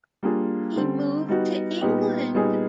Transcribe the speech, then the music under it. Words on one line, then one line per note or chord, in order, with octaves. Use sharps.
He moved to England.
G3 A#3 D4 F4 G#4
D3 G3 C4
G3 B3 D#4 F#4
A#2 G3 B3 D#4 G4
A#2 G3 B3 D#4 G#4